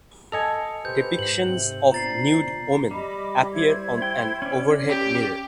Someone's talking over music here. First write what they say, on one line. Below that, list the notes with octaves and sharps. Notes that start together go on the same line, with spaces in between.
Depictions of nude women appear on an overhead mirror.
A4 D#5 G#5 C#7 F7
G4 B4 C5 G6
G#2 F#7
C3 C4
B3 D4 F4 C5 A#5 A6 C7
C7
G3 D#5 B5 D6
E4 C5 G#6
G5
C#4 D5
G4